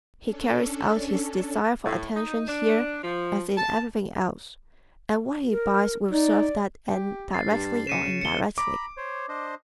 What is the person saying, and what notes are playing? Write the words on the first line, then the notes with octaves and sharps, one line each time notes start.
He carries out his desire for attention here as in everything else and what he buys will serve that end directly or indirectly.
C#4 D4 A4
A2
D#4
D4
F3
A5
A#4
D#4 D5
G4
A6 C7
G2
C#3 C#7 D#7 E7
C#7 G7
A#5 B5 D6
C5 C#5
D4 C5 D#5